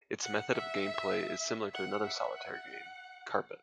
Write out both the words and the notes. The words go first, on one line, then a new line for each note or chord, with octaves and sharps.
Its method of game play is similar to another solitaire game Carpet.
F#5
E5
F#5
E5
F#5